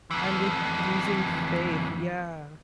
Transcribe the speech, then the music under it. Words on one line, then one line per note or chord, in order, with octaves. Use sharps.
I'm, like, losing faith yeah.
F2 E3